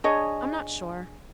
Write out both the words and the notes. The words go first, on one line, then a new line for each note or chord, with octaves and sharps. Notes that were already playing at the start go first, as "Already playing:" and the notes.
I'm not sure.
D4 G#4 C#5 D#5